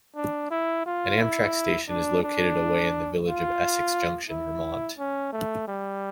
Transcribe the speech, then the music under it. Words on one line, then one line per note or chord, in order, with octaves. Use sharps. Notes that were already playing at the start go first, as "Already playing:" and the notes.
An Amtrak station is located away in the village of Essex Junction, Vermont.
D4
E4
F4
E4
D4
D4
F4
E4
C#4
A3
G3